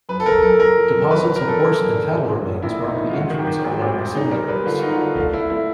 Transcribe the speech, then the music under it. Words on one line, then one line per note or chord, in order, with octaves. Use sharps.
Deposits of horse and cattle remains mark the entrance of one of the cemeteries.
F#2 B4
A4
C#3 A#4
F#2 A4
F#2 A#4
F3
F#2
F#3 B4
D3
A#4
F#3 A4
D3 A#4
F#2
D3
G3
A#1
A#1
A#1 E4
A#1
D#4
A#1
F4
G#2 F#4
D#3
G4
D#3
G#1
G#1
G#2
D#4 G#4
G3 A#4
G3 B4
D3 F4
D#4 F#4
F4
D3
A3 F4
A3 E4
A3 E4